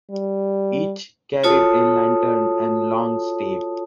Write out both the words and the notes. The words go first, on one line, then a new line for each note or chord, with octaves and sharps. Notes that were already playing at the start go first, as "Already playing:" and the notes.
Each carried a lantern and long stave.
G3
F4 F#4 A4 C#5 A5 D#6